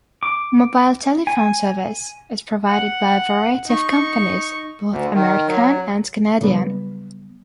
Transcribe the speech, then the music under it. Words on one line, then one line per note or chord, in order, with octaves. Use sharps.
Mobile telephone service is provided by a variety of companies, both American and Canadian.
D6
G#5
F#5
D#4 C#6
D2
D#3
F#3
C#3 F#3 G3 B3